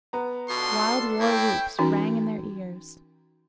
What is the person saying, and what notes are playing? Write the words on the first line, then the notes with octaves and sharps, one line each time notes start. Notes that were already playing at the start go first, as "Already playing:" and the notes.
Wild war-whoops rang in their ears.
B3 A#5
B2 D4 F4 A4 C6
A2 E4 G5
E3 C#4 D#4 F#4